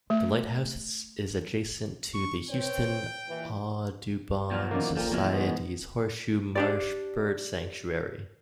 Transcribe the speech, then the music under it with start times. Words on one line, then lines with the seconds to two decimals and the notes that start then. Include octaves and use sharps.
The lighthouse is adjacent to the Houston Audubon Society's Horseshoe Marsh Bird Sanctuary.
0.10 A3
2.14 C#6
2.50 C4 B4 C#5 G5
3.27 D#2 A#2 E3
4.51 D#2 B2 F3 F#3 D5 F6
4.71 D#3 E3 A#3 C#4 D#4 D5
4.97 A#2 F3 A4 G5 A#5
5.12 B2 E3 F3 G#3 C4 F6
5.34 G#2 B3 F#4
6.55 D4 G4 D5